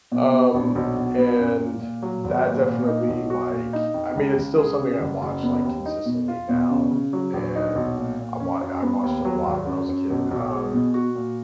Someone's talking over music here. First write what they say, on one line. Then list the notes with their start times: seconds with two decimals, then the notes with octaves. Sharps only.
um, and that definitely like, I mean it's still something I watch like consistently now, and I wa I watched it a lot when I was a kid, um
0.12 B2
0.32 B3
0.54 A#1
0.75 B1
0.96 B1
1.18 B3
1.39 F#2
1.60 A#2
1.82 A#2
2.02 F#3
2.24 G#1
2.46 A#2
2.66 A#2
2.87 D#4
3.08 B1
3.30 F#4
3.51 A#2
3.73 D#4
3.94 F2
4.16 C#2
4.36 C#2
4.58 G#4
4.79 C#3
5.00 F#1
5.22 F#1
5.43 B3
5.64 D#2
5.86 D#4
6.06 B2
6.28 F4
6.49 B2
6.70 C#3
6.91 C#3
7.13 F#3
7.33 A#1
7.55 D#4
7.75 B1
7.97 A#2
8.19 A#2
8.40 C#4
8.61 F#2
8.82 B3
9.03 D#2
9.25 F#3
9.46 G#1
9.67 F#2
9.89 F#2
10.10 B1
10.31 B1
10.53 G#4
10.74 B2
10.94 F#4
11.15 A#2